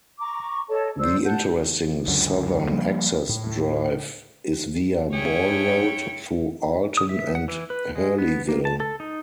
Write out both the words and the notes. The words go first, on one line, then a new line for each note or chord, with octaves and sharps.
The interesting southern access drive is via Ball Road through Alton and Hurleyville.
A#5 C#6 D6
A4 C#5 D#5 A5
C5 D5 E6
F#5 A5 G6
C#2 F#2 D3
F3 G3 A#3
A2
F#2 E4 G#4 C#5 G5 C#7
D#6
E5
F#5
E3
B4
G#3
B3
A#3
A5
A4
D#4